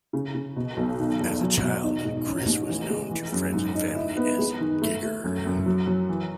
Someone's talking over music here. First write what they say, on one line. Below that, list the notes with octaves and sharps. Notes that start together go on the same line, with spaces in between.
As a child, Chris was known to friends and family as "Gigger".
C#3
C#3
B2
B1
D#3
E2
F#3
B2
D#4
G#2
C#4
A1
E3
G#3
E3
F#2
G#2
D#4
E4
B3
G#3
D#3
A3
A3
F#2
F#2
F#3
F#3
E3